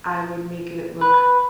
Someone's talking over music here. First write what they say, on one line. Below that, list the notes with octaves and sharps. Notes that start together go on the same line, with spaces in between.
I would make it look
B4